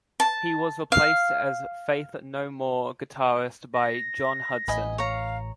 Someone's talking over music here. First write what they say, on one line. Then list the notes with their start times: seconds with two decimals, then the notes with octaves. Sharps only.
He was replaced as Faith No More guitarist by Jon Hudson.
0.20 A5
0.92 F5
3.74 A#6
4.68 A1 D#5 G#5 B5
4.98 C#5 F5 A#5